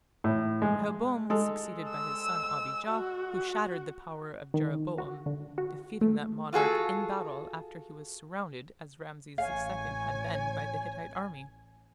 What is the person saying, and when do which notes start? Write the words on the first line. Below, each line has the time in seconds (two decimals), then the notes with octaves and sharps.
Rehoboam was succeeded by his son Abijah, who shattered the power of Jeroboam, defeating that monarch in battle after he was surrounded as Rameses II had been by the Hittite army.
0.24 A2
0.62 G#3
1.30 G#3 A4
1.89 E6
2.89 F#4
4.54 D#3
4.98 F#4
5.26 D3
5.58 F#4
6.01 A3
6.53 F4 F#4 G#4 A4
9.38 A1 C#5 F5 G#5